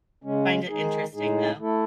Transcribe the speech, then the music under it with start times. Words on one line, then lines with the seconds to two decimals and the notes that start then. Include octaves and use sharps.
I find it interesting, though.
0.24 C#3 G#3 C#4
0.68 D#3 G#3 D#4 G#4
1.14 A2 G#3 D#4 G#4
1.60 A3 E4 A4